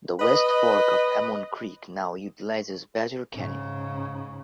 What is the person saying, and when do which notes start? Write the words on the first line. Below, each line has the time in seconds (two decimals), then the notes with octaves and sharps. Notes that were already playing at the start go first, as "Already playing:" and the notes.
The West Fork of Amon Creek now utilizes Badger Canyon.
0.20 B4 D#5
3.33 G#2 C#3